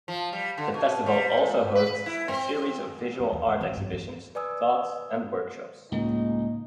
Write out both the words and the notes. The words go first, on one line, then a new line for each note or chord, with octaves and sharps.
The festival also hosts a series of visual art exhibitions, talks and workshops.
F3
G3
D3
B2
G3
A#2
B4
E4
C4
G2
D#2
A3
G#1
G2
E2
B4 D5 G#5 D#6 E6
C#2 A2 A#3 D#4